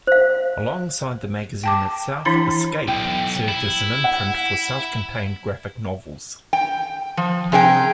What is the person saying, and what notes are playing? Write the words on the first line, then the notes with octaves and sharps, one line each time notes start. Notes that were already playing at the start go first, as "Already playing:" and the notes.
Alongside the magazine itself, "Escape" served as an imprint for self-contained graphic novels.
C5 F5
G5 A5 D6
E3 D4 E4 A#5 B5
B1 G5
E4
F#5
G5
F3
C3 G#4 D5 G5